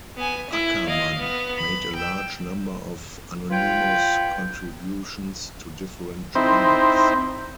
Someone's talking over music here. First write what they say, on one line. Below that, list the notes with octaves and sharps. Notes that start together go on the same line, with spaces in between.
Ackermann made a large number of anonymous contributions to different journals.
B3 G#5
E4
D#5 F5
B3
B5
G5 E6
F4 B4 C#5 G5
C4 D#4 E4 C5